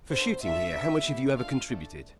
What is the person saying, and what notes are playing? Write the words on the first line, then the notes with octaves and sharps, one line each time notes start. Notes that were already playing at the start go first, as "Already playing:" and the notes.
"For shooting here, how much have you ever contributed?"
B3 D4 A4 C5
A3 D4 F4 E5
B3 D4 G4
B3 E4 G4
D4 F4 A4 F5
A3 D4 A4